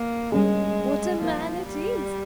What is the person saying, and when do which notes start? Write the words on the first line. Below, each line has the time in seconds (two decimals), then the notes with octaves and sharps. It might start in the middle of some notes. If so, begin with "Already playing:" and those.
What a man it is!
Already playing: A#3
0.32 G3 G#3 C#4 G#4
1.22 F3 A#3 D#4 A#4 F5
1.67 G3